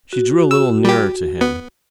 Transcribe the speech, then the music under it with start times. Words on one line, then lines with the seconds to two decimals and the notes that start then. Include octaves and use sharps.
She drew a little nearer to him.
0.13 F#4
0.51 E6
0.85 G3 G4
1.41 B3